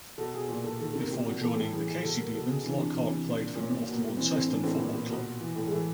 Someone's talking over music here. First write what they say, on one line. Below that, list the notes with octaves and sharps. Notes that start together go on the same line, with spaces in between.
Before joining the Casey Demons Lockhart played for North Launceston Football Club.
B2 A4
B2 G#4
A#2 G4
A#2 A4
D#3 A4
A4
C3 A#4
A#2 G4
A#2 F#4
E3 A4
A2 A4
E3 G#4
A2
B2 A4
B2 A#4
B2 A4
B2 G#4
E3 D4
C3 D4
E3
C3
A#2
A#2
A#2 C#4
A#2
B2
A#3
B2 B3
E3 C4
A2 C4
E3 D4
A2 C4
A#2 B3
A#2
B2
B2
E3
A2 A3
G#3
E3 A3